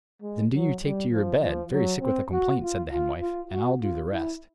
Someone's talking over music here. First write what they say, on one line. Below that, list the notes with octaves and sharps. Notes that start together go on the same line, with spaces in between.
"Then do you take to your bed, very sick with a complaint," said the Hen-Wife, "and I'll do the rest."
G#3
F#3
G3
F3
F3
F#3
C4
F#4
F4
F4
F4
F#4
F4
E4